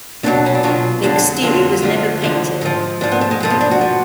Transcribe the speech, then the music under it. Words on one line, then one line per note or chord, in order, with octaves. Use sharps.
The exterior was never painted.
B1 B2 F#3 D4
C#4
D4
B1 B2 F#3 F4
F2 D3 F#3 D4
F2 D3 F#3 F4
D2 D3 F3 F4
D2 D3 F3
G#2 F3
G#2 F3 D4
B3
A3
G#3
G#2 F3 A3
B3
D4
F#4
F3